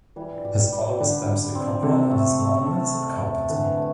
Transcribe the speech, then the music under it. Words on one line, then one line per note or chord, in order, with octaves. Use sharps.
His father was Dempsey Cockrell and his mother, Millicent Carpenter.
E3 G3
G4
G3
D3 G3
G3
C4
C3 A4
A3
A3
A4
A4
A3
D3 E3
A3